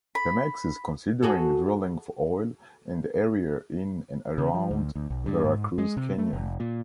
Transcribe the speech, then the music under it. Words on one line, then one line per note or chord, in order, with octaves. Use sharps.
Pemex is considering drilling for oil in the area in and around Veracruz Canyon.
B5
F#4 G#4 A4
C#3
F3
D2
D2
B1
G2
G#2
G#3
C3
A3
F1
A#2